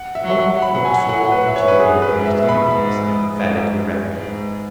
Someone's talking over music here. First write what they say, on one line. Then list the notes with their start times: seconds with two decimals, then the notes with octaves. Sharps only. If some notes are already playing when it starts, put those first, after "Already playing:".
Oak looked from one to the other of the disputants, and fell into a reverie.
Already playing: F#5
0.15 E5
0.23 F#3
0.39 F#5
0.54 F#3
0.62 B5
0.75 F#5
0.85 G#5
1.09 F#5
1.32 B4
1.46 E5
1.56 C#5
1.68 B4
1.79 F#2 G#4
2.02 B4
2.10 G#2
2.26 E5
2.41 B2
2.49 B5
2.73 G#2
3.04 G#2
3.35 G#2
4.13 G#2